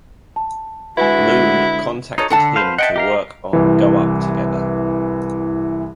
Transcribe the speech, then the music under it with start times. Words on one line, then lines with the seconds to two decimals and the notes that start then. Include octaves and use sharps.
Moon contacted him to work on "Go Up" together.
0.36 A5
0.97 D3 G#3 E4 F#4 B4 G#5
2.18 D#4 F#4 A4 C#5
2.30 D3 A4 F#5 A5
2.56 B4 C5 F5
2.78 D#5 E5 F#5 G5 A5
2.96 G4 A#4 F5
3.53 C2 E3